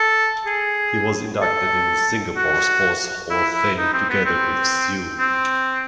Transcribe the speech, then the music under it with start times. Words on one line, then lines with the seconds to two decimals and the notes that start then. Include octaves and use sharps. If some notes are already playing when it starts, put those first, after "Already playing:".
He was inducted in the Singapore Sports Hall of Fame together with Siew.
Already playing: A4
0.46 G#4
1.42 A4
2.36 F#4
3.30 E4
3.54 E4
3.78 D#4
3.93 C4
4.09 B3
4.25 C4
5.20 C4